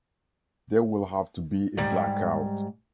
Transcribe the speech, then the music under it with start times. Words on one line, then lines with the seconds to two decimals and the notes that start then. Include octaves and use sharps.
There will have to be a blackout.
1.77 G#2 G3